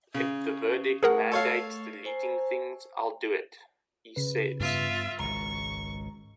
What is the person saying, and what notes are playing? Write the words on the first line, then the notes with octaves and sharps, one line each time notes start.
"If the verdict mandates deleting things, I'll do it," he says.
C#3 C#4
A3 G#4 A#4 F#5 C#6
A4 C#5 F5
C5 G#5 A#5
C#3 B4
G2 B3 F4 E5
G#1 C#2 A#5 C#6